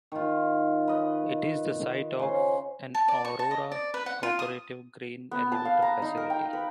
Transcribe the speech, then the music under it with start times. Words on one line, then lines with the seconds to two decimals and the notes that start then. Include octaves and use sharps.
It is the site of an Aurora Cooperative grain elevator facility.
0.12 D#3 F4
0.88 B4 D#5
2.19 C#3 C5
2.95 A5
3.08 D5
3.25 C#6
3.39 A5
3.51 D#5
3.72 D5
3.94 B4
4.06 F#5
4.23 F4
4.39 D#6
5.31 B3
5.52 A5
5.65 F5
5.82 A#5
6.02 D#4
6.17 A#4
6.30 G5
6.53 B4